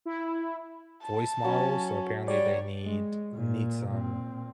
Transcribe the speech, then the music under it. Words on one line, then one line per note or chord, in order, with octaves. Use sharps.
voice models, so apparently they need need some
E4
A5
F#3 C#4
G3 C#5 D5
G#3
A#2
A#2 C4